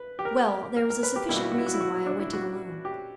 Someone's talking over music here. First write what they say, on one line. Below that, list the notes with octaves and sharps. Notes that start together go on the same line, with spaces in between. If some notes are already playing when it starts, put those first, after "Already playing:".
"Well, there was a sufficient reason why I went in alone."
Already playing: B4
G4
A#4
A#4
A#4
B4
G4
B2 G3 A#3 E4
F#4
E4
F#4
E4
F#4
E4
F#4
D4
E4
F#4
G4